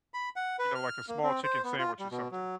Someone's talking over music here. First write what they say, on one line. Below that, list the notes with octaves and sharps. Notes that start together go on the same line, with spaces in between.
you know, like, a small chicken sandwich or something.
B5
F#5
B4
F6
A#3
C4
C5
B3
F4
G3
B2
F#3